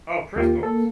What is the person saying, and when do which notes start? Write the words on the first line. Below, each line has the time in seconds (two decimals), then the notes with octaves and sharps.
Oh, crystals.
0.36 D#2 A#3 F4 G4
0.63 A4